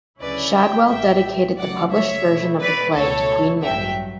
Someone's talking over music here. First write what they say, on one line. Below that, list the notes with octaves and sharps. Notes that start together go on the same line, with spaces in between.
Shadwell dedicated the published version of the play to Queen Mary.
D2 C#3 F#3 C#4 E4 B4 D5
E5 G5
A1 A2 G3 E5 G5
C#2 C#3 F#3 A3 D5 F#5
C#5 E5
B2 A3 E4
B4 D5
C#2 B2 A3 E4 A4 C#5
A1 G2 F#3 E5 G5